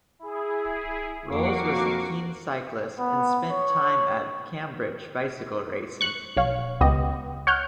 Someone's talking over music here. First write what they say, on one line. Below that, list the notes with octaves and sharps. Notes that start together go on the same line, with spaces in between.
Rolls was a keen cyclist and spent time at Cambridge bicycle racing.
E4 G#4
F2 A#3 F#4 C#6 D6 C7
B3
C#5
C#6 F#6
B1 C#5 F5
C#2 B3 G4 D#5
C#5 F#5 F6 G6